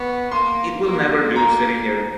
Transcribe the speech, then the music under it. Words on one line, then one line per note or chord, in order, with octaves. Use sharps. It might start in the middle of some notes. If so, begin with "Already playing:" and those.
It will never do, sitting here.
Already playing: B3 C#6
A#3 C6
A#3
A#3 A#5